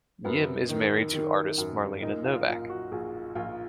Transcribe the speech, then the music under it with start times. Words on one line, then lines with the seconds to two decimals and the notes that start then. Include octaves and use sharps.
Yim is married to artist Marlena Novak.
0.24 F#2 B3
0.69 D#3
1.13 D#3
1.58 F#2
2.02 A#2 D#4
2.25 F4
2.47 A#1 F4
2.69 F#4
2.91 A#1 G#4
3.35 A#1 F4